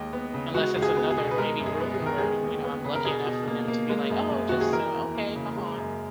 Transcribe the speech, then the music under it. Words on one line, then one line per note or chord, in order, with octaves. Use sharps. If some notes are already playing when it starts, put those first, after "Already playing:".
unless it's another, maybe, room where, you know, I'm lucky enough for them to be like, "Oh, just, uh, okay, come on."
Already playing: D#2 G#3 D#5
B3
C#3
G#3 F#4
C#2
G#4
B3
G#4
B2
B4
G#3 A#4
F#2
G#4
B3
G#4
D#3
A#4
G#3 G#4
D#2
B3
C#3
A#4
B2 G#4
B2
A#3
A#3
G#3
F#2
F#2
D#3 F#4
G#4
E3 A#4
E2
A#3
C#3
G#3
F#2